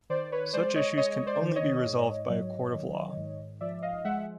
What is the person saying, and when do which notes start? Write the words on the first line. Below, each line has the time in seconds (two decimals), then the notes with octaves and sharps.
Such issues can only be resolved by a court of law.
0.10 D#3 C5 D5
0.32 B4 C#5
0.53 G#3 C5 D5
0.75 C#5 D#5
0.97 G#3 C#5 D#5
1.27 C5 D5
1.42 D#3
1.56 C#5 D#5
1.85 G#2
2.29 F#3
2.73 D#3
3.17 G#2
3.61 F3 D5 E5
3.82 D#5 F5
4.05 G#3 E5 F#5